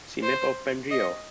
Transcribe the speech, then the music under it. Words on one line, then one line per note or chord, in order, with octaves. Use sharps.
See map of Bengeo.
C5
D#5